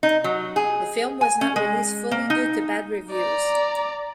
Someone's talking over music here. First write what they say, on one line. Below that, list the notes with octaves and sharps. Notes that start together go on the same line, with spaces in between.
The film was not released fully due to bad reviews.
D#4
F#3
G#4
G#5
C#4
G#3
A#3
D#4
D5 A#5